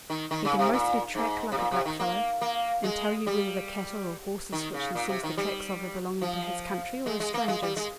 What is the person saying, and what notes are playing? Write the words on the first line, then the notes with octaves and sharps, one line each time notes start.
He can mostly track like a blackfellow, and tell you whether the cattle or horses which he sees the tracks of are belonging to his country or are strangers.
D#3
D#3
C#3
C3
A#2
G#2
C3
A#2
C3
D#3
A#3
A#3
G#3
G3
D#3
C#3
A#2
C3
D#3
G3
F3
G#3
G#3
A#3
G#3
G3
G#3